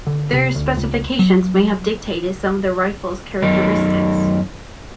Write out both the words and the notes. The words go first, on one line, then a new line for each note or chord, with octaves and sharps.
Their specifications may have dictated some of the rifle's characteristics.
D3
C3
D2
C#2
F#3
F#2 D#3 D#4